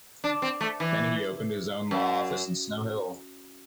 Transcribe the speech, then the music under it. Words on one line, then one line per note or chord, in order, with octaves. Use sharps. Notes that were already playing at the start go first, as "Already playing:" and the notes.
Then he opened his own law office in Snow Hill.
D4
C4
A3
E3
F#2